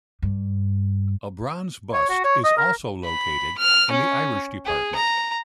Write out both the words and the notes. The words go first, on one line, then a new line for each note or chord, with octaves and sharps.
A bronze bust is also located in the Irish department.
G2
C#5
F#4
C#5
D#5
A#4
B5
F6
C#4
G#4
A#5